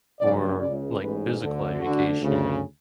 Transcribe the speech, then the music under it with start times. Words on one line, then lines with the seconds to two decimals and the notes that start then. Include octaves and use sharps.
for, like, physical education,
0.20 F#1 F#2 C#3 D5
0.60 C#2 C#3 D5
1.00 A1 G#2 B4
1.40 D2 D3
1.80 D2 D3 F#4
2.20 D2 C#3